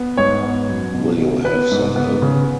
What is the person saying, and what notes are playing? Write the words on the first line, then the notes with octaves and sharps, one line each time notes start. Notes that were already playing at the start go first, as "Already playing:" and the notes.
Will you have some milk?
Already playing: B3
G#2 C#5
B3
F#2
B2
B2
B3 B4
G#2
B3
C#3